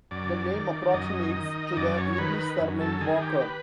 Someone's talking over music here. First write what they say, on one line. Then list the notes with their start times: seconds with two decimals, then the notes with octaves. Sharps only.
The name approximates to the English surname "Walker".
0.11 F#2 D5
0.53 D#3
0.94 F#2 D#5
1.36 D#3
1.77 F#2 D5
1.98 C#5
2.18 D#3 B4
2.39 B4
2.60 F#2
2.80 A4
3.01 D#3 G#4
3.22 G4
3.42 B4